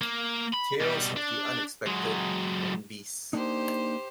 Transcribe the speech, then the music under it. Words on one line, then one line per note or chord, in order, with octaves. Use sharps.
"Tales of the Unexpected" and "Beasts".
A#3
B5
B2 G3
D4
F#3 G#3
A#3 D4 D#4 G4 C5